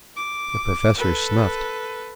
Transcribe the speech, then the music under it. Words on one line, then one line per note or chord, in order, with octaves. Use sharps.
The Professor snuffed.
D6
A4 B4